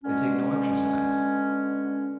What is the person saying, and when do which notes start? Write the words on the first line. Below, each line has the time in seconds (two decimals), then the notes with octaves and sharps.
They take no exercise.
0.04 B2 D3 G#3 C#4